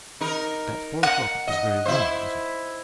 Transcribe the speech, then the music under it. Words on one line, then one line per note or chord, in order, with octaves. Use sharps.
"At four o'clock--it was very warm, wasn't it?"
D#4 A#4
F#5
D#5
E4 C5